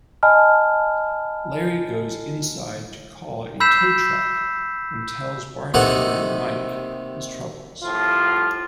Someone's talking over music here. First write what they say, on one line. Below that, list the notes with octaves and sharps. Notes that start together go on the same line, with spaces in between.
Larry goes inside to call a tow truck, and tells bartender Mike his troubles.
D#5 G#5 A5 B5 F6
B5 E6 G6 B6 C7 E7
D#2 C3 D#4 E4 A4 F#5
C2 A2 F3 F4